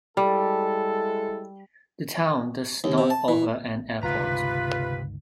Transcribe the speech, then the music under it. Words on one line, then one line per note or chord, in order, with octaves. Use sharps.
The town does not offer an airport.
G3 G#3 E4 A4
D#2
C3
A5
E3
G1 C#2 C3 D#3 F4 B4 A#5